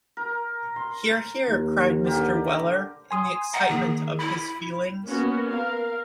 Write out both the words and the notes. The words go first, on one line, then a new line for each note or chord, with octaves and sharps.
Hear, hear!’ cried Mr. Weller, in the excitement of his feelings.
A#4
C6
D#2
D3 G4 A#4
G#5 C6 D#6
F#5 A#5
D#3 A#3 G#4 A#4
E4 B5
A#3 B3 C#4 F#4
A#4 F5